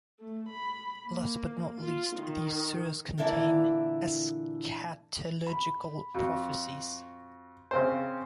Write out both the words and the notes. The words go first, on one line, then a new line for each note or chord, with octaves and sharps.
Last but not least these surahs contains eschatological prophecies.
A3
B5
A#3
F4
D#3
A#2 D3 E3 E4 D5
B5
F2 F#4
C#3 C4 C5